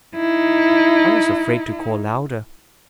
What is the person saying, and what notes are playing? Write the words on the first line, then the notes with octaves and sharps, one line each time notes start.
I was afraid to call louder.
D#4 E4